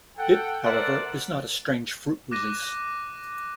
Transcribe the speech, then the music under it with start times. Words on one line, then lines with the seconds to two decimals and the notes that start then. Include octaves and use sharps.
It however is not a Strange Fruit release.
0.18 A4 F#5 G5
0.64 A4 A#4 C5 D5 E5 F#5
2.31 D6 F#6 A#6 D#7